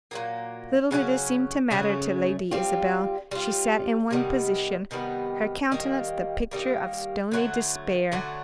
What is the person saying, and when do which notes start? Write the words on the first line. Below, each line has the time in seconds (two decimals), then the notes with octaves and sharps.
Little did it seem to matter to Lady Isabel; she sat in one position, her countenance the picture of stony despair.
0.11 A#2 F#3 A#3
0.91 C#3 F#3 A3 C#4
1.71 C#3 F#3 A3 C#4
2.51 G3 C4 F4
3.31 G3 C4 F4
4.11 C3 D#3 G3 B3
4.91 C3 D#3 G3 B3
5.72 D#3 G3 A#3
6.51 D#3 G3 A#3
7.31 D3 F#3 A3
8.12 D3 F#3 A3